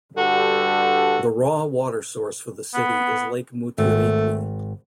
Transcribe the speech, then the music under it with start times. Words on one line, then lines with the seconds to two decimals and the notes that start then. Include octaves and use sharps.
The raw water source for the city is Lake Mutirikwi.
0.16 G2 D3 G3 F#4 G4 A4
2.74 B3
3.78 G#1 A3